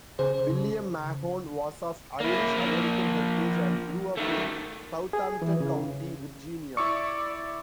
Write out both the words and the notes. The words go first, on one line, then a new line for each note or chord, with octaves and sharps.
William Mahone was of Irish-American heritage and grew up in Southampton County, Virginia.
C#3 G#4 C5
C#3
A#3 E4
F3 A#3
D#3 A3
G#4
E3
C#3
E4 D5 C#6 E6 C#7